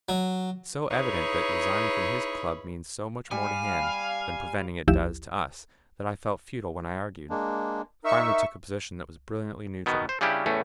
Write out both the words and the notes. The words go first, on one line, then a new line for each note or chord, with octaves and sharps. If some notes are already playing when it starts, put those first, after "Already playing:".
It's so evident that resigning from his club means so much more to him than preventing it does to us that I felt futile when I argued; finally took a position that was brilliantly neutral.
F#3
D#4 E4 G#4 B4 C#5
G3 F5 G#5
A1 D#2 F3 E4 G4 E7
G#3 A#3 D4
D#4 A#4 E5 C#6
B2 D#3 B3
C5
C#3 G3 C#4 D4 E4 G4
E2 A2 A3 C#4